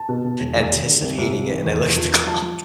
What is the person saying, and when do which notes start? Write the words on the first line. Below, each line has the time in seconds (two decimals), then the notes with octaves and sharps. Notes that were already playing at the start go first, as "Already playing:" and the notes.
anticipating it. And I look at the clock,
Already playing: A5
0.09 B2
0.24 B2
0.40 E1
0.55 E1
0.71 D#2
0.86 D3
1.02 C2
1.18 C2
1.33 C2
1.49 E3
1.65 E2
1.81 E2
1.96 F3
2.11 F3
2.26 F3 A5
2.42 F3